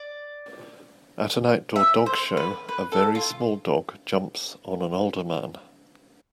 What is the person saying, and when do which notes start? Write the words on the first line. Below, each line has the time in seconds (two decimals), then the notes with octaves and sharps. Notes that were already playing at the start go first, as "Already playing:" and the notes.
At an outdoor dog show, a very small dog jumps on an older man.
Already playing: D5
1.76 E5
2.06 C5
2.37 B4
2.69 B4
2.92 A4
3.15 F4